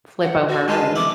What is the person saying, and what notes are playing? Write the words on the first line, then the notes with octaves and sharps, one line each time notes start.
flip over and
F#5
F#4
G#3 F4 B4 A5
E5 B5 D6